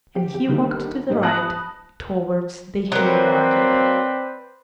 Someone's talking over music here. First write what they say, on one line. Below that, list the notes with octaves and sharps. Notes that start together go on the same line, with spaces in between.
And he walked to the right towards the Hay Market.
G4
G4
D3 D#3 G3 A#3
G#2 G3 D#4
A5 B5 D#6 F#6 A#6
F#3 A#3 C4 B4 C5 D5